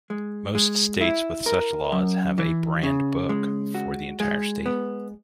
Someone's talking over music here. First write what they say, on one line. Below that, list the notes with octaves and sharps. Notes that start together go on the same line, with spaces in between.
Most states with such laws have a Brand Book for the entire state.
G#3
G#3
E4
A#4
F#2
E3
C#3
G#3
F#4
G#3
B3